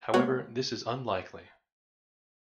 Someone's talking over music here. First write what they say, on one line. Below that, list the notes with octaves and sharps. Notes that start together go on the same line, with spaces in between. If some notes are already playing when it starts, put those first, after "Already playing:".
However this is unlikely.
G#3 A#3 B3 F#4 C#5 F#5